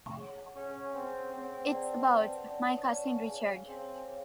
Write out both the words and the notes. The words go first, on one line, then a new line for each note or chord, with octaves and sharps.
It's about — my cousin Richard!
G#4 C#5 F#5
C#4 G#4 C#5 F#5
C4 G#4 C#5 F#5
C4 G#4 C#5 F#5
B4 D5 F#5 A5
B4 D5 F#5 A5
C#4 B4 D5 F#5 A5
B4 D5 F#5 A5
G#4 C#5 F5 G#5
C4 G#4 C#5 F5 G#5
G#4 C#5 F5